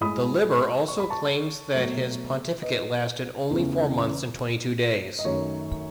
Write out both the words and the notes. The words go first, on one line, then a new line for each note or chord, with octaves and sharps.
The "Liber" also claims that his pontificate lasted only four months and twenty-two days.
A2 G#3 B5 D#6
C#6
B5
A5 C#6
B2 F#3 A3
B4 D#5
E2 C#3 E3 A3
D#5
F#2 D#3 F#3 A3 C#5